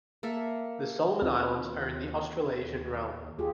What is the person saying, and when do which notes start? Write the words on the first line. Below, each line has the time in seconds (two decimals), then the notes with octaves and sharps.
The Solomon Islands are in the Australasian realm.
0.23 A#3 A4 E5
1.22 D#2 C4 F4
3.39 D#2 F4 G4 G#4